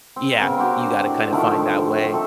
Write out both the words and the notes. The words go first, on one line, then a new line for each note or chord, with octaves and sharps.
Yeah, you gotta kind of find that way.
C4
C#3 B3 C4 A#4
C4 D4 F#4 G4
A2 D5
D3 D#3 F3 A3
A3 C4 A4